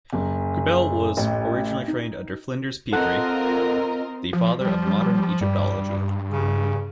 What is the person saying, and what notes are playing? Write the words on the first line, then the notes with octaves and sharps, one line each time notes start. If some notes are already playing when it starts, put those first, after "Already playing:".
Quibell was originally trained under Flinders Petrie, the father of modern Egyptology.
F#1
A1
D#4
C4 F4 A4 A#4 D#5 F#5 F#6
F3
F3 G3
G2 G3
C#3